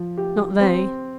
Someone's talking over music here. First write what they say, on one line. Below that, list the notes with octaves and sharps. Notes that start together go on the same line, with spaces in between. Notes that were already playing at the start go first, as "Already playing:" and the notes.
Not they!
Already playing: F3
G4
C4